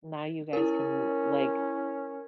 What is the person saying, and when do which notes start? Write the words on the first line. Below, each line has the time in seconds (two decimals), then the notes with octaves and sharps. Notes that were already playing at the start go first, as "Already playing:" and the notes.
Now you guys can, like,
0.53 C#4 E4 A#4